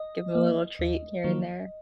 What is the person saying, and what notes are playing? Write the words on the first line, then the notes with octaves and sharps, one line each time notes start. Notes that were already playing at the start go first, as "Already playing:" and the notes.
Give him a little treat here and there.
Already playing: D#5
F3 A#3
D#2
D#3 F#3 A#3